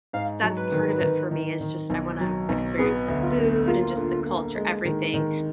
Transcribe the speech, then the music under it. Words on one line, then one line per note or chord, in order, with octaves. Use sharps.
that's part of it for me, is just I wanna experience the food and, just, the culture everything,
G#2 F5
F#3
B4
D#3
D#3
D#3
D#3
B1
F#3
B1
B3 G#4
D2
F4
D3
A#3 F4
D3
A#3
G#3
D#3
D#3